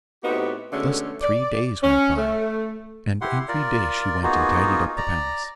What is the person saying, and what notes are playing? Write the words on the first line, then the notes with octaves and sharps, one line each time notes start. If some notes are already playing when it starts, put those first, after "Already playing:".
Thus three days went by, and every day she went and tidied up the palace.
A2 B3 C4 D#4 F#4 G4
B2 D3 G#3 A3 C#4
D5
C#4
A3
E4 G4 F#5 C6
F4 A#4 D5
A#3 B3 D#4 F4 F#4 G#4
D5 A#5